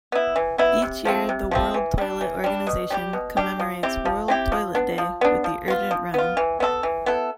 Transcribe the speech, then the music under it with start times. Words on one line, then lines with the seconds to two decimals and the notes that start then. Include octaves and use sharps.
Each year, the World Toilet Organization commemorates World Toilet Day with the "Urgent Run".
0.12 B3 E4
0.36 E3
0.58 B3 E4
0.82 C3
1.05 F3 A3 C4
1.29 C3
1.51 F3 A3 C4
1.74 E3
1.98 G3 D4
2.21 E3
2.44 G3 D4
2.67 B2
2.90 G3 D4 G4
3.13 B2
3.37 G3 D4 G4
3.59 F3
3.83 C4 E4 G4
4.05 F3
4.28 C4 E4 G4
4.52 F3
4.75 B3 D4
4.98 F3
5.21 B3 D4
5.44 F3
5.68 B3 F4
5.91 F3
6.14 B3 F4
6.37 E3
6.60 B3 E4 A4
6.83 E3
7.06 B3 E4 A4